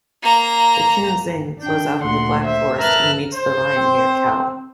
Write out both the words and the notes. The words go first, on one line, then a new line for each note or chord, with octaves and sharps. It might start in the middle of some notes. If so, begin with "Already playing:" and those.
The Kinzig flows out of the Black Forest and meets the Rhine near Kehl.
A#3 A#5
D4 G5
D2 A#2 F#5 C6
C5 E5
A#4 B4 E5 A5 F6 F#6
C5
C4